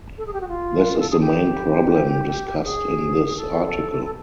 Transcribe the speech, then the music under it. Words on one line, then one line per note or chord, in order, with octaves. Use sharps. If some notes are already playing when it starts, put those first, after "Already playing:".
This is the main problem discussed in this article.
A4
G#4
G4
F#4
F4
A4
G#4
G4
G4
G#4
A4
A4